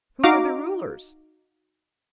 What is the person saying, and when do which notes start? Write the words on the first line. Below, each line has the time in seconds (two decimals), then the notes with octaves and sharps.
Who are the rulers?
0.23 D#4 F#4 F5 A#5 D6